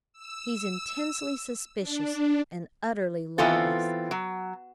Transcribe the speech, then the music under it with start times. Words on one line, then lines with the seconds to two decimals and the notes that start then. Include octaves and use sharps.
He's intensely suspicious and utterly lawless.'
0.13 E6
1.79 D4
3.38 E3 B3 C4 F4 A4
4.11 F#3